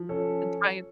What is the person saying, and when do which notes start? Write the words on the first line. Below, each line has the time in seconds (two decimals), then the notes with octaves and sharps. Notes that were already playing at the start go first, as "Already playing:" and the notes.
And try an
Already playing: F3
0.09 C#4 A4